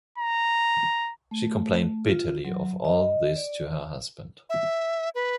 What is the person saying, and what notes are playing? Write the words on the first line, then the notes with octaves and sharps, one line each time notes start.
She complained bitterly of all this to her husband.
A#5
A3
F4
F#3
D#5
D5
E5
B4